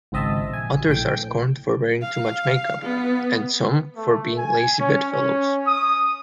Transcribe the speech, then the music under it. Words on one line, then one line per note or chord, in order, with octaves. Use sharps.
Others are scorned for wearing too much makeup, and some for being "lazy bedfellows".
G#1 C#2 C4 D#5 E5 A5
A#1 G#5
A#1 A2 G5
F5
B3
A3
G#5
C#4
C#4
D#6